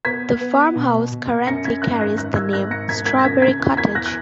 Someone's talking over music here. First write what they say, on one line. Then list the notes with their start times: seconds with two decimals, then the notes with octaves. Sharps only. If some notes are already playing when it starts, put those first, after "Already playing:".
The farmhouse currently carries the name "Strawberry Cottage".
0.05 B3 G#6 B6
0.41 B3
0.75 B2
1.12 B2
1.47 F#2 A#6 C#7
1.65 G#6 B6
1.82 G#1 F#6 A#6
2.00 F#6 A#6
2.17 G#1 F#6 A#6
2.36 E6 G#6
2.53 G#1 F#6 A#6
2.71 A#6 C#7
2.89 E1 G#6 B6
3.06 G#6 B6
3.18 A#6
3.24 C#3 G#6 B6
3.42 G#6 B6
3.59 E2
3.77 G#6 B6
3.95 E2 F#6 A#6
4.06 F#6